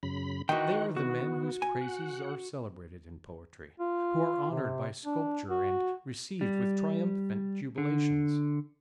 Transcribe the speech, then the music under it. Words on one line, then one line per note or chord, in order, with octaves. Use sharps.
They are the men whose praises are celebrated in poetry, who are honored by sculpture and received with triumphant jubilations.
F#2 C#3 B5
D#3 E3 F#4 D#5 F#5 G5
B3 F#4
G#5
F#5
F4
C3
D4
F#4
G3
D3